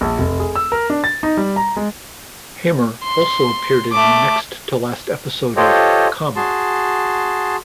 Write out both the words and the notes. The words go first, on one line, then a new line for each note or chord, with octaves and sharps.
Haymer also appeared in the next-to-last episode of "", "".
A#1
F1
G#4
E6
A#4
D4
A6
D#4
G3
A#5
G#3
C6
A3 D6
F4 G4 A4 C5 C#5 D#5
F#4 G#4 A5 C6